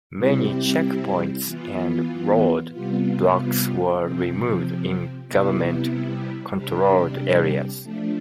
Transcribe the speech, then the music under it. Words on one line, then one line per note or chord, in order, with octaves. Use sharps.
Many checkpoints and road blocks were removed in government controlled areas.
C3 G3 C4 E4 G4
E3 B3 F4
C3 G3 B3 F4
C3 F3 C4
C3 G3 B3 E4
C3 G3 D4 G4
F3 A3 D4